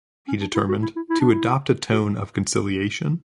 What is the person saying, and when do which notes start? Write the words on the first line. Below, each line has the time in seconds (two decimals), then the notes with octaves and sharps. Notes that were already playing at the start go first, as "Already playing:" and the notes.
He determined, to adopt a tone of conciliation.
0.28 C#4
0.41 D4
0.55 E4
0.69 F#4
0.82 E4
0.96 E4
1.10 E4
1.20 D4
1.31 E4
1.92 F#4